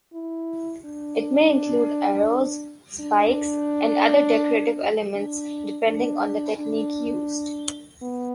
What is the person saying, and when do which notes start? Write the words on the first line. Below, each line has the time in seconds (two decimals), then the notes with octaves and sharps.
It may include arrows, spikes, and other decorative elements depending on the technique used.
0.13 E4
0.85 D4
3.00 D4
5.15 D4
5.87 D4
6.58 D4
8.02 B3